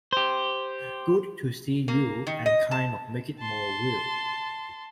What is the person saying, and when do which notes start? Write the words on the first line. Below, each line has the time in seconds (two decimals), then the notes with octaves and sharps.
Good to see you' and kind of make it more real.
0.13 G4 C5
1.88 A#3
2.27 D#3
2.46 D#5
2.71 A5
3.39 A5 C6